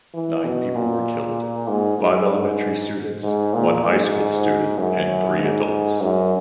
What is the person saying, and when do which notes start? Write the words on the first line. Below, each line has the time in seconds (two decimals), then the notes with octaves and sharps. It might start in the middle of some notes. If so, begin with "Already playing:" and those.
Nine people were killed, five elementary students, one high school student and three adults.
0.14 E3
0.45 B2
0.75 A#2
1.68 G#2
1.99 F#2
2.30 G#2
3.23 G#2
3.54 A#2
3.85 G#2
4.78 F#2
5.40 G#2
6.01 F#2